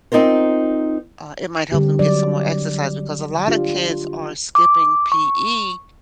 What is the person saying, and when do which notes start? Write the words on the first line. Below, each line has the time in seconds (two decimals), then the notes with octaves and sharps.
uh, it might help them get some more exercise, because a lot of kids are skipping PE
0.12 C4 D#4 F4 A#4 C5
1.72 D3 G3 C4 G4
1.99 F#3 D4 D5
3.48 D4 F4 G4
4.55 D6
5.12 C#6